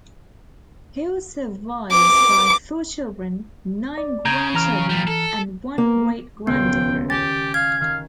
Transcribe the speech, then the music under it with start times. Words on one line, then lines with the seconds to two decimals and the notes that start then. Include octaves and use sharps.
He was survived by four children, nine grandchildren and one great-granddaughter.
1.92 D6
3.98 D5
4.25 C#3 A#5 G6 G#6
4.54 E3 A#5 F6
4.89 A#2 G3
5.07 A4
5.78 A#3
6.47 D#1 C#2 B3 G5 C6
7.10 G4 G#5 D6 A6
7.54 F5 G#6
7.81 D#3 F5